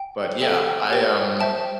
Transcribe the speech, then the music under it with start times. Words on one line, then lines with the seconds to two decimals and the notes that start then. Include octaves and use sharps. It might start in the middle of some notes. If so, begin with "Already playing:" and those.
But, yeah, I, um,
Already playing: G5
0.42 A4 E5 G5
0.90 G4 C5 G5
1.40 C5 E5 G5 A5